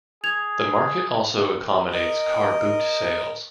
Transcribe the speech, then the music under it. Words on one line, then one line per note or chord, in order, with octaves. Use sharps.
The market also accommodates car boot sales.
G#4 G#6 F7
A#4 D#5